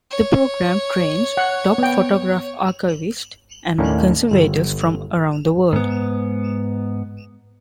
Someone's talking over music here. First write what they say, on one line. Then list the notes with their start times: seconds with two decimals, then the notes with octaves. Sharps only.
The program trains top photograph archivists and conservators from around the world.
0.11 C#5
1.37 F#5
1.78 B3 G5
3.78 D#2 A2 A#3 C#4 D4
4.31 G1
5.73 G#2 B3